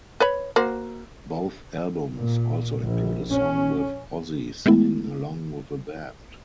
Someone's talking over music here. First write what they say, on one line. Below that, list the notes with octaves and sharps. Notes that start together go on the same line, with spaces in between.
Both albums also include a song with Ozzy singing along with a band.
B4 C#5 B5
A#3 F#4 C5
A#2
A#1
C#4
G#3 A3 B3 E4